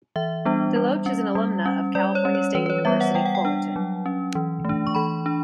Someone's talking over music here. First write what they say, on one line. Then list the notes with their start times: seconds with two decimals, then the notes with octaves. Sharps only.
DeLoach is an alumna of California State University, Fullerton.
0.16 E3 E5
0.45 G3 B3 D4
0.76 G3
1.06 C#4
1.35 G3
1.66 C#4
1.95 G3 D5
2.15 C#5
2.25 C#4
2.35 C#5
2.55 E3 B4
2.66 B4
2.70 C#5
2.85 G3 B3 E5
3.01 F#5
3.15 G3 G5
3.26 F#5
3.35 G5
3.45 D4
3.76 F#3
4.06 C#4
4.35 E3
4.65 A3 D4
4.87 C#6
4.95 E3 B5
5.26 D4